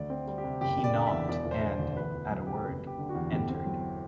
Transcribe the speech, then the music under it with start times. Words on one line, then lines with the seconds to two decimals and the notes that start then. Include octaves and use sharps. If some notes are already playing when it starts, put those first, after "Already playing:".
He knocked and, at a word, entered.
Already playing: D2 D5
0.10 C4
0.27 G3
0.38 G4
0.44 C3
0.61 F#1 G4
0.78 F#1
0.84 D5
0.95 D3
1.07 E5
1.12 E2
1.28 E1 D5
1.46 E1
1.51 C5
1.63 D3
1.74 D5
1.80 D2
1.96 E2 B4
2.14 E2
2.30 F#3
2.47 C3 G4
2.55 A4
2.64 F#1 B4
2.81 F#1
2.87 G4
2.98 D3
3.09 F#4
3.15 E2
3.32 G1 G4
3.49 C4
3.66 F#3